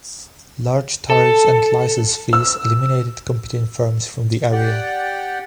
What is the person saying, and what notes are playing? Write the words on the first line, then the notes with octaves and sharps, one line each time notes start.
Large tariffs and license fees eliminated competing firms from the area.
A4
E6
G4 D5 F#5 G5